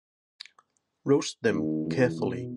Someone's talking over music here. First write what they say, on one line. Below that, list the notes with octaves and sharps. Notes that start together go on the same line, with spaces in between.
Roast them carefully.
D#2
E2
B2